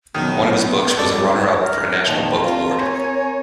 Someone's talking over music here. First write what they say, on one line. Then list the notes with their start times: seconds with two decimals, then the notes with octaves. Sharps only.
One of his books was a runner-up for a National Book Award.
0.15 F#2 B2 D#3 F#3 B3
0.97 G2 G3 G#3 A4 C#5 D5
1.59 A#4
2.07 A#2 D#3 F3 A5
2.40 C4 F4 A#4 A#5
2.79 C#5 G#5